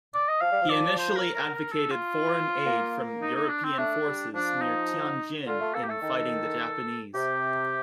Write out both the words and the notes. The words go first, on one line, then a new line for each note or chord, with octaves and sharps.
He initially advocated foreign aid from European forces near Tianjin in fighting the Japanese.
D5
D#5
F3 F5
G3
F3
D5
C5
A#4
A#4
A#4
A4
F4
A#3
D#4
D#4
D4
C4
A3 D4
G3
F3 D4
D#4
D3 F4
A3
A#3 A4
G4
A3 A4
D#3
C3 G4